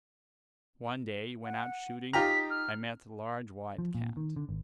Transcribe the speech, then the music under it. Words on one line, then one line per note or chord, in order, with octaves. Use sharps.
One day, when out shooting, I met a large white cat.
F#5
D#4 F4 G4 A#5 B6
F6
F3
A#2
D#3
D3
G#1